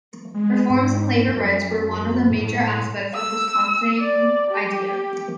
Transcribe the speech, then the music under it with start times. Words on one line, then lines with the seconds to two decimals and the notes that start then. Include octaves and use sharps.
Reforms in labor rights were one of the major aspects of the Wisconsin Idea.
0.34 G#3
0.70 G#2
1.28 F#2
2.30 A2
3.14 E6
3.98 D5
4.50 G4